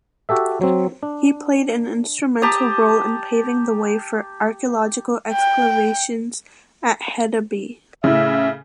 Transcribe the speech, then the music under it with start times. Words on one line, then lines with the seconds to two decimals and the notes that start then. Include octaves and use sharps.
He played an instrumental role in paving the way for archaeological excavations at Hedeby.
0.29 F#4 G4 A4 E5
0.61 F#3 C4
1.03 D4
2.42 G4 A5 A#5 D#6
5.32 G5
8.04 A2 C#3 E5